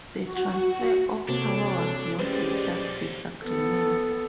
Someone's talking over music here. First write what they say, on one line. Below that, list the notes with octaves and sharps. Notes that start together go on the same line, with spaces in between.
The transfer of power was not without disagreement.
F#4
C3 A#3 C4 D4 F#4 A4 C#5
B1 G#3 C#4 G4 B4 C5 D5
B3 A4